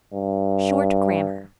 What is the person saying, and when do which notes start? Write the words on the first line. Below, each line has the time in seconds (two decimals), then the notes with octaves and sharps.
Short Grammar.
0.14 G2